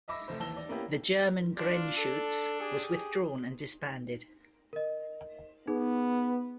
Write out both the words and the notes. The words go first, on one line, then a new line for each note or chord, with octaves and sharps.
The German "Grenzschutz" was withdrawn and disbanded.
D#5 E5 B5 D6 E6 A#6
F1 A3 C5
D#2 E3 A5 E6 A#6 G7
D5
A#3 B3 C#4 E4 G4
D4 F4
A4
G4 G#4
A#4 D#5
B3 D#4 G#4